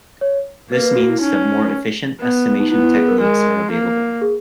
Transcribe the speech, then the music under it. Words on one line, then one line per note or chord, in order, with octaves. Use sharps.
This means that more efficient estimation techniques are available.
C#5
A#3 B4
B4
F#4
E4
C#4 D#4
B3
D#4
B3 E4
E4
G#4
A#4
G#3 A#4
A#3
G#4